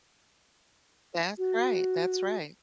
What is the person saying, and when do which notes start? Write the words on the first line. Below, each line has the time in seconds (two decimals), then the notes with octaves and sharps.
That's right, that's right.
1.37 F#4